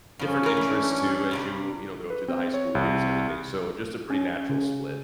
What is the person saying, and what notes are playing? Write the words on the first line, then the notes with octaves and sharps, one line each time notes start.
different interests too as you you know, go through the high school years and everything. So just a pretty natural split.
G2 F3 C#4
E3 A#4
E3 D4
G2 C3 G3
B4
C4
C#5
C2
C#4
C#3